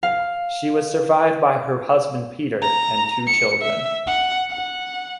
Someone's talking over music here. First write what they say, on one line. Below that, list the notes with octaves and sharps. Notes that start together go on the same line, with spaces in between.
She was survived by her husband Peter and two children.
F5
A#5
C#7
E5
F#5
F#5